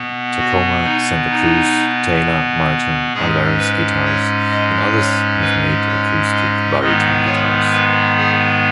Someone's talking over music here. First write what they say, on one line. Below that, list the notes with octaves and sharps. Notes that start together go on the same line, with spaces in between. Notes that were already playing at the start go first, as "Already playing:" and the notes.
Tacoma, Santa Cruz, Taylor, Martin, Alvarez Guitars and others have made acoustic baritone guitars.
Already playing: B2 B3
F#4
D#4
D#4
G#2 G#3 C#4 G#4
B4
C#5
D#5
C#5
B4
C#5
D#5
G#2 D#3 G#3 B3 D#5
C#5
B4
G#4